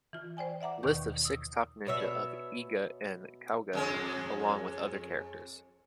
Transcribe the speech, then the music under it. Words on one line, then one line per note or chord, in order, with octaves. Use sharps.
The list of six top ninja of Iga and Kouga, along with other characters.
E3 F4
C5 D5 G5 G#5
D5 E5 F#5 A#5 D6
D#2 B2 D#3 D5 C#6 G6
D#6 E6
B2 C#5 E5
F2 G#3 C#4